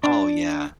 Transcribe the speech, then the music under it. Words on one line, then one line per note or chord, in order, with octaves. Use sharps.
Oh, yeah.
D4